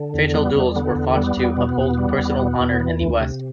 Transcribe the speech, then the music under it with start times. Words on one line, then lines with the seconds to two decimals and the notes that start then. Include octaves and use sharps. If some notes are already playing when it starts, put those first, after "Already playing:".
Fatal duels were fought to uphold personal honor in the West.
Already playing: D3
0.14 E2
0.34 G3 B3
0.55 E2
0.76 D3 B3
0.95 E2
1.17 G3 B3
1.37 E2
1.57 B2
1.77 E2
1.98 G3
2.18 E2
2.39 B2
2.60 E2
2.80 E3
3.01 D2
3.21 C3